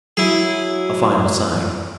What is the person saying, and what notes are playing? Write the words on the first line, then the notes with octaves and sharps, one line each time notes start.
A final sign.
F#3 E4 G#4